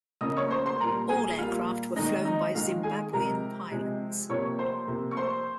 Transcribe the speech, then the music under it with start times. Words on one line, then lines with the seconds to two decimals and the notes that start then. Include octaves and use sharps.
All aircraft were flown by Zimbabwean pilots.
0.21 C#3 F3 A#3 D#5 D#6
0.37 C#5 C#6
0.50 C5 C6
0.66 C5 C6
0.80 A#2 G3 A#3 A#4 A#5
1.09 G#4 G#5
1.38 A#2 G3 A#3 F4 F5
1.96 D#3 G#3 D#4 D#5
2.25 D#4 D#5
2.54 D#3 G#3 F4 F5
2.83 G#4 G#5
3.13 C3 F3 G#3 A#4 A#5
3.71 C3 F3 G#3
4.29 C3 F3 A#3 C#5 C#6
4.59 C5 C6
4.87 C3 F3 A#3
5.11 C#6
5.17 C5 C6